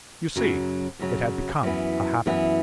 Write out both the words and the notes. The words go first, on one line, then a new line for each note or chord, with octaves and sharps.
You see, it had become a habit.
F#2 C#3 F#3
F#2 C#3 F#3
F#2 E3 B3
F#2 E3 B3